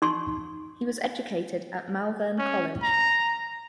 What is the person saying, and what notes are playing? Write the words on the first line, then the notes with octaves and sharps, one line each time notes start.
He was educated at Malvern College.
D#4 C6 C#6
C#4
A#5